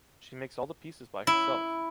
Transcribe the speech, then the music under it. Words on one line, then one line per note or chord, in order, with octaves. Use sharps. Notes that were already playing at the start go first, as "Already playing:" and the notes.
She makes all the pieces by herself.
E4